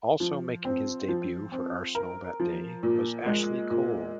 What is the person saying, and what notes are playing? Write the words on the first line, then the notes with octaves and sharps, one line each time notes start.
Also making his debut for Arsenal that day was Ashley Cole.
F3
C4
F3
C4
A#4
F3
A#2
G#3
A#2